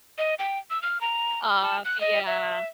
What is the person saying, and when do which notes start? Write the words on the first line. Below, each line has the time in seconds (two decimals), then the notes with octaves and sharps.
Ah, see, yeah.
0.18 D#5
0.39 G5
0.70 E6
0.82 F6
1.01 A#5
1.63 A5
1.85 F#6
2.01 D#5
2.27 E5